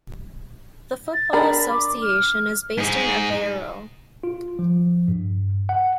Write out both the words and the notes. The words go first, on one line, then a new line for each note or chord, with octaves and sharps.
The Football Association is based in Aveiro.
A6
D4 A#4 B5
D6
F6
G#2 G#4
F4
F3
G2
F#5